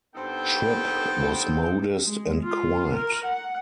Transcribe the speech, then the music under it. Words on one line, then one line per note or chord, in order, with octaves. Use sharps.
Tripp was modest and quiet.
G2 B3 C4 D#4 A4 G5
G#3
F4
A#4
F#5